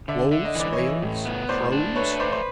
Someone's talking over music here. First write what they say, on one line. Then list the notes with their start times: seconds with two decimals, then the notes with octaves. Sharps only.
Wolves, whales, crows?
0.08 D3 D5 E5
0.31 D3 E5
0.45 D#5
0.55 E3 D5
0.72 C#5 D#5
0.78 E3
1.02 A2
1.25 B3
1.49 A2 C5 D5
1.72 D4
1.96 A3 B4 C#5
2.20 B4 C5 D5
2.32 C5